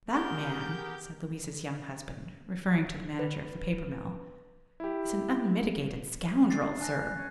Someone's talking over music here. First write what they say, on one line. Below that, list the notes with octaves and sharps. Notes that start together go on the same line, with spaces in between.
"That man," said Louise's young husband, referring to the manager of the paper mill, "is an unmitigated scoundrel, sir."
B3 G4 G#4 A#4 G6
B4
E4 G4
A6 C7
D4
G#5 F#6 A#6
A#3
C#4